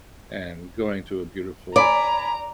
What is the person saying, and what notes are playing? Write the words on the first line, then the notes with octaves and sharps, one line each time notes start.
and going to a beautiful,
D5 G#5 A#5 B5 D6